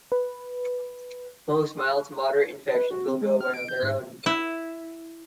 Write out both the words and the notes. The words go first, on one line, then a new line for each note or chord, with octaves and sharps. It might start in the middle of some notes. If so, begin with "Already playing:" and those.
Most mild to moderate infections will go away on their own.
B4
B4
F#4
C4
G#3
F6
D7
G6
G#2
E4